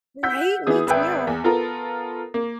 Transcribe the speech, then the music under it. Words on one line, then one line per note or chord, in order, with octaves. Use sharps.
Right? Me too.
F#5 E6 G6 B6
E3 B3 G#4 D#6
G#1 B4 E5 G5
E2
B3 F4 A4 A#4
A#3